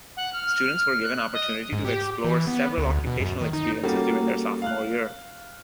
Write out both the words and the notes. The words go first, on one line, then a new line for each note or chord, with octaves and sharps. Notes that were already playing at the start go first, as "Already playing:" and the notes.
Students were given opportunity to explore several occupational experiences during their Sophomore year.
F#5
F6
F#6
D#5
G#2
G4
E3
B3
D2
B2
F#2
D#3
D#4
G3 A#3 C#4 F#4 A4
F5 F6 F#6